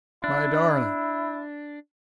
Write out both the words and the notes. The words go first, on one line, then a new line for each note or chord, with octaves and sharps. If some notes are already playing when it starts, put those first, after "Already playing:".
My darling!
D4 E4